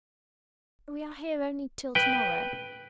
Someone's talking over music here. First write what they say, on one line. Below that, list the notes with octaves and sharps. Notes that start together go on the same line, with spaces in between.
We are here only till to-morrow.
B4 G5